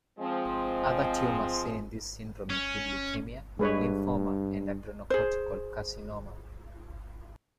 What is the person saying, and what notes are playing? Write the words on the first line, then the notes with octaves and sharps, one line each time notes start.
Other tumours seen in this syndrome include leukemia, lymphoma and adrenocortical carcinoma.
F3 G#3 C4
C#4
G2 G#3 B4 C#5
G#4 C5